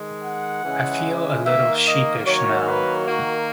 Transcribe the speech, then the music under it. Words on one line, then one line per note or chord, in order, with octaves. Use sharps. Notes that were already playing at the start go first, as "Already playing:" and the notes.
I feel a little sheepish now.
Already playing: D#3 G#3
F#5
C#3 E3 G#3
D#3 A#3 E5
D#5
D#3 F#3 A#3 C#5
B4
D#3 A#3 F#4